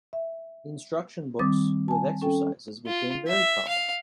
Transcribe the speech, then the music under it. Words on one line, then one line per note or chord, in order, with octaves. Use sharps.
Instruction books with exercises became very common.
E5
D#3 G3 C4 D6 D#6 A6
G#5 A5
C#4 A4 G5
F4
E5
F5